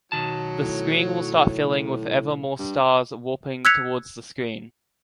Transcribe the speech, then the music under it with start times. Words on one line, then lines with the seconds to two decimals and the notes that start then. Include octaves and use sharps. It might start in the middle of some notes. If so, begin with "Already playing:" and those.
The screen will start filling with ever more stars warping towards the screen.
0.12 B1 D#3 F#3 C#5 A5
0.60 A2
2.59 G2
3.65 E6 F#6 G#6 B6 C#7 F7